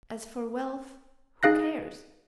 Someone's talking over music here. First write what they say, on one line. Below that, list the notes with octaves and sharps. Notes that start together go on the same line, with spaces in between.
As for wealth, who cares?
D#4 G#4 F5 F#6 A#6